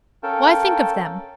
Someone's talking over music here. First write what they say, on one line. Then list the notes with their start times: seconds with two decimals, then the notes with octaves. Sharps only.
Why think of them?
0.23 C#4 A4 A#4 F5 G5 A5